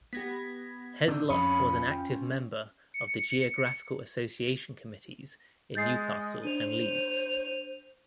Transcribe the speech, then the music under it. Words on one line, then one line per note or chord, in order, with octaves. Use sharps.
Heslop was an active member of the Geographical Association committees in Newcastle and Leeds.
B3 G4 G#6 A#6 B6
D3 D4 D#4
F2 C#4 F4 B5 D#6 C#7
G5
C#7
G#3 G6 A6 C7
D4 C5 D#7 F7